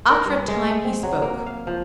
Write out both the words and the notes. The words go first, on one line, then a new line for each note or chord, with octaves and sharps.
After a time he spoke.
A#4
G2
G#3
C4
F#3
A#3
F5
F3